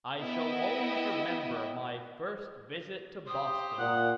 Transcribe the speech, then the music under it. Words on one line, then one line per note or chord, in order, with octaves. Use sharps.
I shall always remember my first visit to Boston.
B3 E4 D#5 E5 G5
G4 C5 D#6
A#2 F#5